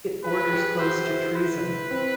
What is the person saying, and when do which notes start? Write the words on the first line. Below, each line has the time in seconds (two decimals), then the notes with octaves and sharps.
It borders close to treason.
0.24 G#4 B4
0.52 G4
0.79 F#4 C5
1.07 E4
1.35 B4
1.91 C4